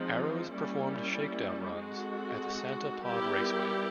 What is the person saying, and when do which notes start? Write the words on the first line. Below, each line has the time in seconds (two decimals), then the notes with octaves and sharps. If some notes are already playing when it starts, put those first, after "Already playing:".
Arrows performed shakedown runs at the Santa Pod Raceway.
Already playing: F3 G#3 C4 D#4
0.52 G3 A#3 C#4 E4
1.77 G#3 C4 D#4 F#4 A4
3.04 G3 B3 E4 G4 A#4